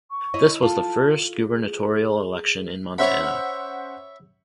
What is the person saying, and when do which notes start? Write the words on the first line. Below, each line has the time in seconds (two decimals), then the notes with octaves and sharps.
This was the first gubernatorial election in Montana.
0.11 C#6
0.34 E4 C#5 D#5
0.62 F4 A4 A5
1.35 G#4
2.98 C#4 C5 C#5 E5 F#5 B5